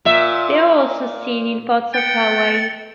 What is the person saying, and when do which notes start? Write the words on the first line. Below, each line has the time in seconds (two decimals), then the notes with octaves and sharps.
They are also seen in part of Hawaii.
0.05 A#2 E5
1.94 B3 G5 A6 C#7